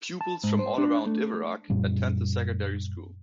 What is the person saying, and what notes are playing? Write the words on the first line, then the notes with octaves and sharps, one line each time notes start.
Pupils from all around Iveragh attend the secondary school.
A5
G#2
C5
D4
A3
F#2 A#2 G3